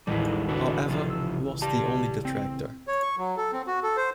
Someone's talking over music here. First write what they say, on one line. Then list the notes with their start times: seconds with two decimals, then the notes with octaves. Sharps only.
However, he was the only detractor.
0.07 A1 D#2 G3 G#3 E4
0.49 C#2 D4 F#4 B4
0.87 C3 F3 F4
1.10 E6
1.62 G4 D5 A5
2.25 C4
2.88 C#5
3.02 C#6
3.18 F#3
3.37 A4
3.53 C4
3.67 F#4
3.83 A4
3.97 C5